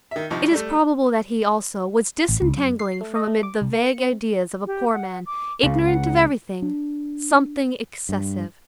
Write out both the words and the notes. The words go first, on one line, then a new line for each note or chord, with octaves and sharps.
It is probable that he, also, was disentangling from amid the vague ideas of a poor man, ignorant of everything, something excessive.
D#3 E5
C2 F3 D#4
G3 A3
A1
C#2
F#2
C7
A3
D#5
A3
D6
C2
A#3
C#7
C4
G4
F#5
D6
C#2 C#3 F5
F#5
D4
G2